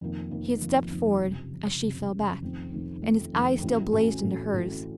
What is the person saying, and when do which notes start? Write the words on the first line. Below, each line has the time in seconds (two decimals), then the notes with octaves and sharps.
He had stepped forward as she fell back, and his eyes still blazed into hers.
0.01 F1 F2 D#3 A#3
0.31 F1 F2 D#3 A#3
0.62 F1 F2 D#3 A#3
0.91 F1 F2 D#3 A#3
1.21 F#1 F2 C3
1.51 F#1 F2 C3
1.81 F#1 F2 C3
2.12 F#1 F2 C3
2.42 F1 F2 D#3 A3 C4
2.72 F1 F2 D#3 A3 C4
3.02 F1 F2 D#3 A3 C4
3.33 F1 F2 D#3 A3 C4
3.62 A1 A2 A3 C#4 F#4
3.92 A1 A2 A3 C#4 F#4
4.22 A1 A2 A3 C#4 F#4
4.53 A1 A2 A3 C#4 F#4